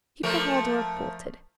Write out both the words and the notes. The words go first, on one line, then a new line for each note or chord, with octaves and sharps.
'Keep the hall-door bolted.
F3 A3 A#4